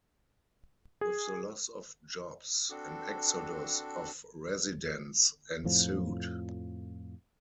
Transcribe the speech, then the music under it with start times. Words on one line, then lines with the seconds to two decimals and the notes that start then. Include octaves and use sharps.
With the loss of jobs, an exodus of residents ensued.
1.01 G#4
2.70 C4 D4 F#4 A4
5.64 F2 A2 F3